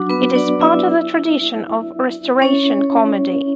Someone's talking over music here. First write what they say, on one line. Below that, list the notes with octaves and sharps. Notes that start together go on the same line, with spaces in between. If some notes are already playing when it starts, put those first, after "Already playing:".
It is part of the tradition of Restoration comedy.
Already playing: F#3 D4 F#4
B3 B4
D4 D5
E4 E5
C#4 C#5